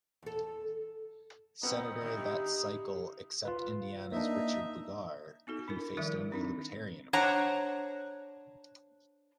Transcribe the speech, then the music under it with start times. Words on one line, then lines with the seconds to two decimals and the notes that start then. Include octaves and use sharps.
Senator that cycle except Indiana's Richard Lugar, who faced only a Libertarian opponent.
0.22 E2 A4
1.63 B3 C4 D#4
2.01 D3 G3 E4
3.45 F4 B4
4.12 A#3 D4 D#4 E5
5.47 B3 D#4 F#4 A4
5.68 D4 E4 A#4
5.97 D#3 F3 G3 E4 A#4 E5
6.32 C4 D4 D#4
7.13 D4 C5 C#5 F#5 A#5